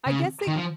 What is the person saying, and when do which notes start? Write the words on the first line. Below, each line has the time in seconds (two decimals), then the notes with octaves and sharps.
I guess it
0.07 C#3
0.47 D#3
0.56 F3